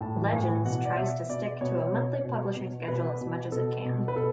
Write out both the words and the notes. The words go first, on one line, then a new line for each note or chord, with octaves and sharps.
"Legends" tries to stick to a monthly publishing schedule as much as it can.
A2 A5
E3
A2 G#5
E3
B2 F#5
D5
B2 E5
B2 D5
B2 C#5
B2
B2
B2
B2 B4
B2
B2 A4
B2
B4
B2 A4